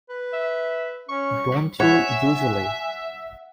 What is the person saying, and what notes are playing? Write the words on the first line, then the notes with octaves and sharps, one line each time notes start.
Don't you, usually?
B4
E5
C#4 C#6
C#5 E5 F#5 G#5